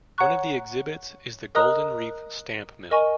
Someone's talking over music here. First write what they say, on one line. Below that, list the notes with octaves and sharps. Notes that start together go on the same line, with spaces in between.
One of the exhibits is the Golden Reef Stamp Mill.
C#5 F#5 A#5 C#6 F#6
A#4 D#5 A#5 D#6 F#6
A#4 D#5 G#5 C#6